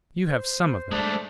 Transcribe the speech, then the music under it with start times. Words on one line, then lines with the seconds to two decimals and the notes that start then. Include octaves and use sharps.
You have some of them.
0.30 C5
0.92 G#3 A3 D4